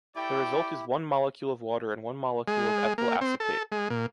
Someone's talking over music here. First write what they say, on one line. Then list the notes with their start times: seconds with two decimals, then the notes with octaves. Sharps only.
The result is one molecule of water and one molecule of ethyl acetate.
0.16 A3 E4 G4 D5 G5
2.48 G#3
2.98 A#3
3.21 C4
3.40 A4
3.72 G#3
3.90 A#2